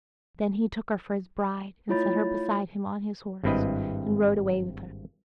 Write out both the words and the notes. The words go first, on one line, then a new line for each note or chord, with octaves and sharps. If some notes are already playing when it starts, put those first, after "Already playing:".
Then he took her for his bride, and set her beside him on his horse and rode away with her.
A3 E4 F4 C#5 B5 A6
G#1 G2 C4 E4 B4 D#5